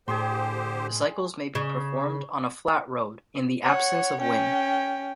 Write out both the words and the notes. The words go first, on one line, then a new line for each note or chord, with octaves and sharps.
The cycles may be performed on a flat road, in the absence of wind.
A2 D3 G4 G#4 C5 G5 C6
C#3
C#5 F#5
C#4 G5